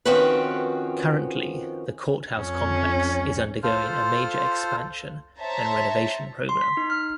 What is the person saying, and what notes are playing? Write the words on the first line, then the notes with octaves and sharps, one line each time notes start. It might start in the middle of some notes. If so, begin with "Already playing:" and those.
Currently, the Courthouse Complex is undergoing a major expansion and renovation program.
D#3 F3 C4 C#4 F#4 B4
F2 C#4
F4 A4 C5 F6
C5 C#5 E5 A5 A#5
C6
B6
D#4
F6